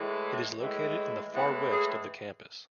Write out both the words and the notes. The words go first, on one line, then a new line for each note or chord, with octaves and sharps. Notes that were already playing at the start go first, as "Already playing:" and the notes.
It is located in the far west of the campus.
Already playing: A2 E3 G#3
A2 E3 G#3
A2 E3 G#3 B3
G#4